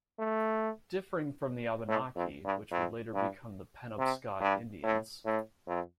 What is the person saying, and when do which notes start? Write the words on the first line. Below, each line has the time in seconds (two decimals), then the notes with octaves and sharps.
Differing from the Abenaki which would later become the Penobscot Indians.
0.19 A3
1.88 A2
2.16 F2
2.45 G2
2.71 F2
3.14 G2
3.98 C3
4.40 G2
4.83 A2
5.25 A2
5.67 F2